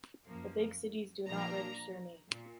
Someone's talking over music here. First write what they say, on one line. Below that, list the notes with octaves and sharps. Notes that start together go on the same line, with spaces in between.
The big cities do not register me.
F#2 F3 A#3
A#2 F3 A#3 D4 A#5
A#2